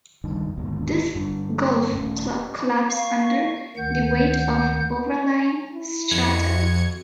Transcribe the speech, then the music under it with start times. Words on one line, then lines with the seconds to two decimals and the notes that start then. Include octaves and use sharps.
This goaf collapses under the weight of the overlying strata.
0.24 E1 C#2 G2 D#3
0.58 D1 D#2 G#2 B2
1.14 G1 G2 D4
1.92 D#1 G#1 A3 C#4
2.90 F5 C#6
3.77 D2 D#3 F#5 G6
5.73 E4
6.11 F2 G#6 C#7
6.59 F#4